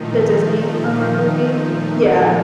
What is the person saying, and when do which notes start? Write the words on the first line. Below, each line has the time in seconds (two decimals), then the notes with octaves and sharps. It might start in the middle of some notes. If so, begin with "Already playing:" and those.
The Disney, um, movie. Yeah.
Already playing: A#2 D#3 F3 A3 D#4
1.00 D#3